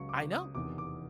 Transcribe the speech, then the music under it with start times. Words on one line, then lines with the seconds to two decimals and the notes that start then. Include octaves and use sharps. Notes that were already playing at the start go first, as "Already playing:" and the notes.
I know.
Already playing: C#2 C#3 F#3 C#6
0.09 D6
0.33 D#6
0.55 F1 E2 C3 D#3 D6
0.78 D6